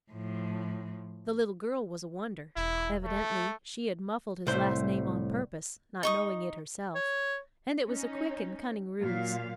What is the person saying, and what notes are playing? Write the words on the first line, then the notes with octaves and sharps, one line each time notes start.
The little girl was a wonder: evidently she had muffled his last name on purpose--not knowing it herself--and it was a quick and cunning ruse.
A2 F3
E1 E4
A3
C2 A2 C5
D#4 C#6 D#6
C#5
C#4 D#4
A#2 F#3 F5